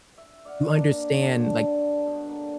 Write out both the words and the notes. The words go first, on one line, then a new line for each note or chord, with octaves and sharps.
you understand, like,
E5
D5 F5 F#5
A#3 D4
G2 D3 F#3 A5
B2 D3
A#3